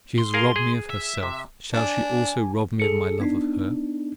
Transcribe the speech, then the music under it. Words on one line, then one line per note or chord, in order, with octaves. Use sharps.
She has robbed me of herself: shall she also rob me of my love of her?
C6
G#4 A#4 F5
G#4
E5
C3
D4 G#5 D6
G#4 A4 C#7
B3 D4 D#4